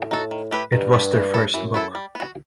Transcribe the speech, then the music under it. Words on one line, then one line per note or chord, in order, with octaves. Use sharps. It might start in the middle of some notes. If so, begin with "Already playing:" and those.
It was their first book.
Already playing: A2
D#4 F#4 A4
D#3
A3 E4 G4 B4
G2 D#3
A3 E4 G4 B4
E3
B3 E4 A4
F#2 E3
B3 E4 A4
G3
B3 F#4